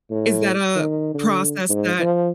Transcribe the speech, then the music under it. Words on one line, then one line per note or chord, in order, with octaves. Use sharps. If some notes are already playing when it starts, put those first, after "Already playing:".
is that a process that
A2
D#3
D3
G#2
F3